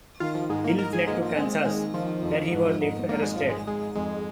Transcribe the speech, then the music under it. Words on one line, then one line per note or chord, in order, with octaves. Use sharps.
Hill fled to Kansas, where he was later arrested.
D#3 F4
F3
G#2 G#3
A#3
D#4 A#4
G#4
G#3 A#3
F3
G#3 C4
D#3 G#3
D#3 F3
F2
G#2
G#2
G#1 A#3
G#3
G#2 F3
G#3
G#3 G#4
F2 G#3